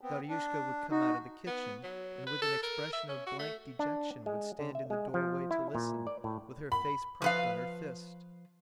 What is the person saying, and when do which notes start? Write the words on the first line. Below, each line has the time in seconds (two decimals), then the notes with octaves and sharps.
Daryushka would come out of the kitchen and with an expression of blank dejection would stand in the doorway to listen, with her face propped on her fist.
0.01 B3 C4
0.29 D4
0.91 D#4 F#4
1.46 B3
1.83 F#3
2.26 B4
2.42 A4
2.63 A#4
2.93 E5
3.09 C#4
3.27 F#4
3.39 A3
3.79 D4
4.26 G#3
4.59 D3
4.75 E5
4.90 G#3
5.14 F3
5.51 E4
5.75 A#2
6.07 D5
6.24 A2
6.72 B5
7.22 F3 B4 F5